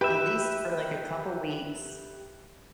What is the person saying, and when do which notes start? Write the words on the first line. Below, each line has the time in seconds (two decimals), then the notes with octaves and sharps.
at least for like a couple weeks,
0.01 G4 B4 E5